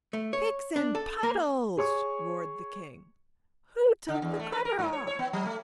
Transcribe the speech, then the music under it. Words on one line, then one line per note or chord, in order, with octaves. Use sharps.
"Picks and puddles!" roared the King; "who took the cover off?"
A3
C#5
D4
A4
A#3
G#4 C#5 C#6
D3
E2
A3
B4
A#4
G#2
C#5
C#5
B3
F#3
A3